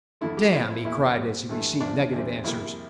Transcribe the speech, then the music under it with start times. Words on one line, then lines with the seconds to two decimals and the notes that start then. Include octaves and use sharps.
"Damn!" he cried as he received negative answers.
0.21 F2 D3 A3 E4
0.37 G4
0.53 A#2 F3 C4 E4
0.70 E4
0.85 E2 E3 A#3 E4
1.18 A#2 G3 C4
1.49 G2 E3 A3
1.81 E2 C3 F3 D4
2.12 E2 C3 G3 C4
2.44 F2 C3 G3 A#3 E4